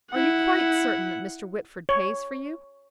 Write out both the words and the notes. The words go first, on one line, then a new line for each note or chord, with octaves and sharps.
"Are you quite certain that Mr. Whitford pays for you."
E4 F#5
C#5